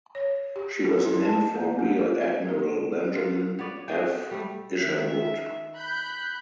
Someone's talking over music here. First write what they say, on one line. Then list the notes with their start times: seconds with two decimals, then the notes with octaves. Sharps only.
She was named for Rear Admiral Benjamin F. Isherwood.
0.15 C#5
0.56 G4
0.85 A4
1.05 E4
1.25 A5
1.55 A#3
1.79 A#3
2.01 F4
2.21 C4
2.49 A#4
3.16 F4
3.59 B3 C#5 D5
3.88 F#4 G#4 G5
4.31 G3 A3
4.80 D#3 E5
5.76 B5 F#6 G6